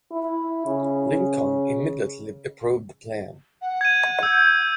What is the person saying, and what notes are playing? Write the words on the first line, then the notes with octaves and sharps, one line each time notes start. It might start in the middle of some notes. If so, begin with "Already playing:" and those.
Lincoln immediately approved the plan.
E4
C#3
F#5
G#6 D#7
E6 G6